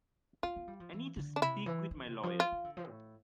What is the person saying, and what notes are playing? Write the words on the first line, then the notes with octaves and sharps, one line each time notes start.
I need to speak with my lawyer.
C4 F4
B3
G3
F3
E3
D3
D4
C3 E4
E3
E3
C3
F3
F4
E3
D3
F3
A2